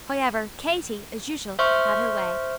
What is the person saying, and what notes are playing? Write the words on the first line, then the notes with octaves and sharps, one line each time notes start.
However, Katy, as usual, had her way.
C5 E5 C6 C#6 F6